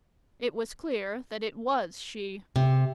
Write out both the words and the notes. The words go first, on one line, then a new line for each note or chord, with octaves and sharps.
It was clear that it was she.
C3